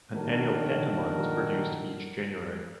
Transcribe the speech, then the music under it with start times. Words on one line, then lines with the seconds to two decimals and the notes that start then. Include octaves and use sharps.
An annual pantomime is produced each January.
0.14 A#1 D#3 G3 F#4 A4 A#4